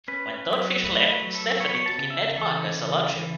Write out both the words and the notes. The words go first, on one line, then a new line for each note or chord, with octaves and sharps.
When Toadfish left, Stephanie took in Ned Parker as a lodger.
C#4 B4
F#3
A3 B4
B4
F#3
A4
B3 C#5
B4
C#5
A5
C#3
E5
E3 A4
C#3
E3